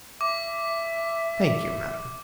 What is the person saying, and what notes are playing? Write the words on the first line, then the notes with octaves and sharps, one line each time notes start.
"Thank you, madam."
E5 D6